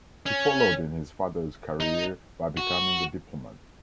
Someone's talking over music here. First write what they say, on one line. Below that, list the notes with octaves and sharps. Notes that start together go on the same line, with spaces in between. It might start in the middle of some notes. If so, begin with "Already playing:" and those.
He followed in his father's career by becoming a diplomat.
C#4
D#4
F#4